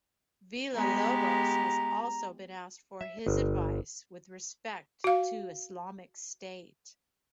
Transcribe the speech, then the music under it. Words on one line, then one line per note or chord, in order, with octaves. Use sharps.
Villalobos has also been asked for his advice with respect to Islamic State.
G#3 B3 G4 A#5
E5
G1
F#4 F5